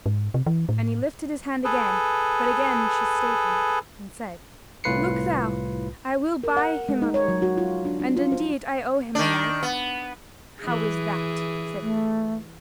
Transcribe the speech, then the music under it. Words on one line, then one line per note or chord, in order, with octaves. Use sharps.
And he lifted his hand again, but again she stayed him, and said: "Look thou, I will buy him of thee: and, indeed, I owe him a life." "How is that?" said he.
G#2
C3
E3
A2
G#4 A4 B4
C2 A2 F4 B4 C7 C#7
A#4
F#5
G#3
D#4
C#5
F#3
F#4
F4
D4
D4
F4
C5
D#3 D4
B3
E3 G#4
A3